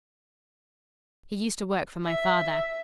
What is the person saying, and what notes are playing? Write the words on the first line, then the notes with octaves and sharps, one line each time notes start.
He used to work for my father.
E5